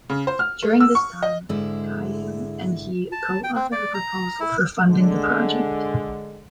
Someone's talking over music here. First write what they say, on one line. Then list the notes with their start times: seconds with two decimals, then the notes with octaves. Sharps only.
During this time, Cailliau and he co-authored a proposal for funding for the project.
0.10 C#3
0.27 C5
0.39 F6
0.63 A3
0.80 E6
0.95 C#6
1.23 D#5
1.49 G#2 D3 G#3 E4
3.12 A5
3.44 G5
3.56 C4
3.72 D5
3.94 A#5
4.40 E4
4.88 D3 G#3